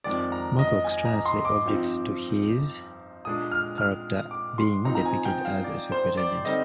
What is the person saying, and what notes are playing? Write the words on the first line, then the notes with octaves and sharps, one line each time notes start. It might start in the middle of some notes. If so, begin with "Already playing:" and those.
Moorcock strenuouly objects to his character being depicted as a 'secret agent'.
F2 D#3 G#3 D5
A#5
D#5
G#5
A#5
C6
D6
G2 F3 C4 D#4
A#2 G#3 D4 D#6
F6
F6
D6
C6
G#2 F3 C4 D#4 A#5
A#5
G#5
G5
F5
D5
C5
D5
D3 G3 C4 D#4 D#5